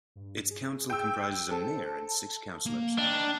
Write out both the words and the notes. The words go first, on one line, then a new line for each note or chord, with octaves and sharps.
Its council comprises a mayor and six councillors.
G2
G#4
G5 E6
A4 C5
A5
A#3
D4 D#5 G5